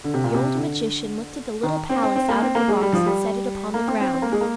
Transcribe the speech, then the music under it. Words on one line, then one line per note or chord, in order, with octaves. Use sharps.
The old magician lifted the little palace out of the box and set it upon the ground.
D3
C3
A#2
C3
D3
D#3
C4
C4
C4
A#3
C4
A#3
G#3
G3
F3
G3
A#3
C4
C4
C4
A#3
G#3
A#3